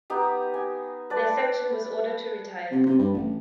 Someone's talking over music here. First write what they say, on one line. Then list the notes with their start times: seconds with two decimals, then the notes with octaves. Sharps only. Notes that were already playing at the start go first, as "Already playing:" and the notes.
Their section was ordered to retire.
0.10 B3 D#4 G4
0.54 G#5
1.10 B4 D5 A5
2.71 C3
2.86 C3
2.98 G2
3.14 A1